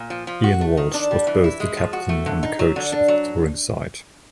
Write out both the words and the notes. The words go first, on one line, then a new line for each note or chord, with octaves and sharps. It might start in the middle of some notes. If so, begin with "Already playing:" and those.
Ian Walsh was both the captain and the coach of the touring side.
Already playing: A#2
F3
F3
F#4
A3
D#3
D4
G3
E3
E4
G#3
F3
F#4
A3
D3
D#4
F#3
D3
D4
F#3